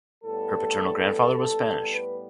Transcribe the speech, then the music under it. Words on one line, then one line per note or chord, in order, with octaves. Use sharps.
Her paternal grandfather was Spanish.
A2 G3 B3 A4
A2 G3 B3
B4